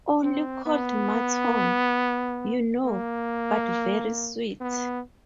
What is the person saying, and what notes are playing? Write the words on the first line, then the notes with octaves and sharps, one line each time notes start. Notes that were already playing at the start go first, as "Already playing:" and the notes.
Only cold mutton, you know, but very sweet.
C4
B3
A#3
B3